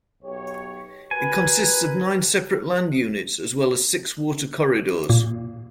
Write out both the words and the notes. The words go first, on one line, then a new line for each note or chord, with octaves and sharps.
It consists of nine separate land units as well as six water corridors.
B1 G4 C#5
F#4 A#4 B4 G#5
A#2